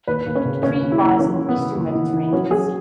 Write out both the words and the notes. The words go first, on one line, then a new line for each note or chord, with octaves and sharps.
Crete lies in the eastern Mediterranean Sea.
D#2 B4
D#2
C#4
C#3
D#2 C#4
D#2
E4
D#2
E3 C#4
E3
B3
C#3
D#2
E3
E3
F#3 C#4
F#3 G#4